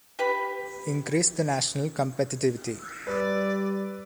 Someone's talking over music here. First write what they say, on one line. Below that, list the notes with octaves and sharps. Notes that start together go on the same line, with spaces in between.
Increase the national competitivity.
G4 B4 B5
G3 B4 D5 E6